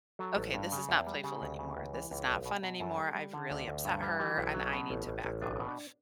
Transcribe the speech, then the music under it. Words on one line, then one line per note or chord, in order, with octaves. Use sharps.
okay, this is not playful anymore, this is not fun anymore. I've really upset her, and I need to back off."
F#3 A4
A1
G2
C#3
E2
G3
C#3 G4
D2
C#3
C#2
E3
C#2
B1
B2
B2
F#2 A4
G3
G3
D3
D2
D2
G2 A4
G3 B4
E3 G4
B1 E4
F#3
B2
A1
A1
A1
B1 D4
B2
D4